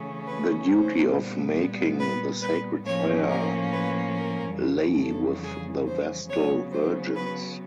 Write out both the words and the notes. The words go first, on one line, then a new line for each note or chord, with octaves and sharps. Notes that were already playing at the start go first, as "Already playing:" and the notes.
The duty of making the sacred fire lay with the Vestal virgins.
Already playing: C#3 E3 A3 C#4
B4
C5
A#2 G3 B3
B4
B4
A2 F3 A#3 C#4 C#5
A#4
B4
A#4
F2 C#3 E3 G3
A4
G#4
C5
C#3 F#3 B3 C#5
C5
B4